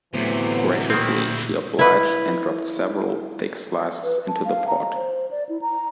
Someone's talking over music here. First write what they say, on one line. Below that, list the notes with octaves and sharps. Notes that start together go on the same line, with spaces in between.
Graciously, she obliged and dropped several thick slices into the pot.
D2 A2 C3 E3 F#3 B3 C5
D2 A#2 D#3 A#3 C4 E4
E4 B4
B4
A5
F5
A#5
C5
D5
E4
A#5